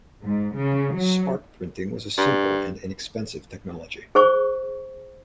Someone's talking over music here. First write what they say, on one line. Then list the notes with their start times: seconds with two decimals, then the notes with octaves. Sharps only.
Spark printing was a simple and inexpensive technology.
0.24 G#2
0.56 C#3
0.94 F#3
2.17 G2
4.15 G#4 C5 C#6